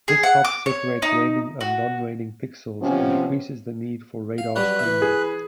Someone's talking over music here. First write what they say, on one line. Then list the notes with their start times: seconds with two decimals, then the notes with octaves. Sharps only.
This helps separate raining and non-raining pixels and decreases the need for radar screening.
0.08 G#4
0.23 F#5
0.45 D6
0.66 C#5
1.02 D#4
1.61 F#4
2.81 C3 F3 B3 C#4
4.38 F5
4.56 F#3 G3 C#4 B4 F#6
4.79 E3 E5
5.02 G#4